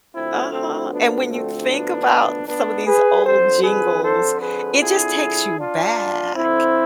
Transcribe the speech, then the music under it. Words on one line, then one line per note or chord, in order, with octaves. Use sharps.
Uh-huh. And when you think about some of these old jingles, it just takes you back
D2 D3 F3 C4 E4
A3 C4
B3 D4
A3 C4
B3 D4
B3 D4
G#4 B4
F2 D3 F3 A4 C5
G#4 B4
A4 C5
G#4 B4
E4 G#4
D4 F4
F2 D3 F3 C4 E4